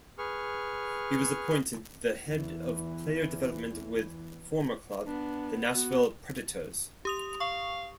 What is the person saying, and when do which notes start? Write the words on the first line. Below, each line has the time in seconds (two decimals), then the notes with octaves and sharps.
He was appointed the Head of Player Development with former club, the Nashville Predators.
0.18 G#4 B4 C#6 F6
2.25 E2 E3
5.07 B3 D4
5.73 B3 F#4
7.05 G4 D#6 F7
7.40 F5 C#6